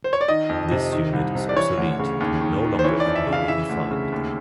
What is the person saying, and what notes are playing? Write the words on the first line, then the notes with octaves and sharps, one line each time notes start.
This unit is obsolete and no longer clearly defined.
C5
C#5
D5
D#3 D#5
F2
C3
D#3
C2
C3
D5
E3 C#5
D2
C#3
D#2
D#3
D#3
C5
E3 C#5
D5
F2
E5
C#3
F5
E3 E5
D2
C#3
D#2